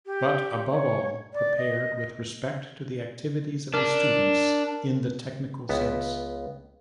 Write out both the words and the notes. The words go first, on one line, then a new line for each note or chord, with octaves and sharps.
But, above all, prepared with respect to the activities of his students in the technical sense.
G4
C#5
D5
D#5
D4 A#4
C#2 B3 E5